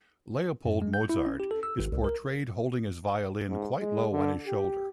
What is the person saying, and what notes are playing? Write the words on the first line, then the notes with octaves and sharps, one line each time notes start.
Leopold Mozart is portrayed holding his violin quite low on his shoulder.
F#2
G#3
G6
E4
C#4
G4
A4
E6
G#1
C2
A#4
G#2
G#3
D3
G4